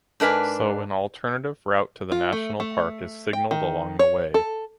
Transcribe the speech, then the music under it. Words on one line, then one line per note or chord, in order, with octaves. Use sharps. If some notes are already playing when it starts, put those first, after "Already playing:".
So an alternative route to the national park is signaled along the way.
G#2 D4 A#4 B4 G#5
F4
A3
A3
G5
D#3
C#5
A4